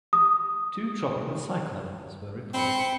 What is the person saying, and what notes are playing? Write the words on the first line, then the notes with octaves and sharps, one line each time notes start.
Two tropical cyclones were reported.
D#6
C4 B5 C#7